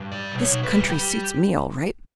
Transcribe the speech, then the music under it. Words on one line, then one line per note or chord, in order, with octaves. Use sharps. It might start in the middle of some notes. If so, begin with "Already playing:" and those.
This country suits me all right.
Already playing: G2
G3 D5
B2
C#5
B2
B4
G3
G3 G4